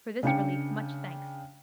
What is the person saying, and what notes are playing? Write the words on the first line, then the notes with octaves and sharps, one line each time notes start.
For this relief much thanks.
C#3 D4 G5 C#7